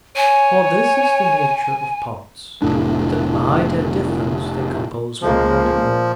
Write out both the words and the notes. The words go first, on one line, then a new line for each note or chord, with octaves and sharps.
For this is the nature of parts--that by their difference they compose one body.
C#5 G#5
F1 A2 D4
C#2 F3 G#3 A#3
A#2